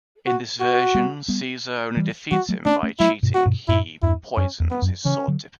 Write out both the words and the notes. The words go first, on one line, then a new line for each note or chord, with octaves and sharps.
In this version Caesar only defeats him by cheating-he poisons his sword-tip.
F#4
F#4
G3 B3
G3 B3
E3 G3
E3 G3 F#4
F#3 A3
A3 C#4 D4
A3 C#4
F#3 A3 E4
G2 B2
F#4
G2 B2
F#2 A2 E4
E2 G2 E4
F#2 C#4
E2
B3
F#2
C#3 E3 C#4
D3 F#3